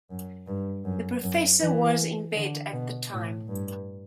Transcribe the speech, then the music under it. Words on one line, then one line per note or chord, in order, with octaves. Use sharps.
The professor was in bed at the time.
F#2
G2
F#2
F#2
E3
D3
B2
A2
G2